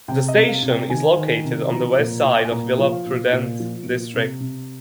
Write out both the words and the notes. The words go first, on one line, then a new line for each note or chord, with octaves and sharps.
The station is located on the west side of Vila Prudente district.
C3 G5
D#5
C3
F5
C3
G5
D#3 G#5
D#3
C3
F3 A#5
A#2
A#2
G5
G#5
A#2 A#5
F3
F5
A#2
A#2
F3
A#2
C3
C3